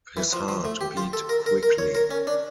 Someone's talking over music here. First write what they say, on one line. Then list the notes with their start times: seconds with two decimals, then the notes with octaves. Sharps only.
His heart beat quickly.
0.17 E3
0.33 F3
0.48 F3
0.65 A3
0.81 G4
0.97 F4
1.13 A4
1.29 A#4
1.46 A#4
1.63 A#4
1.78 C#5
1.95 A#4
2.11 C#4
2.27 D4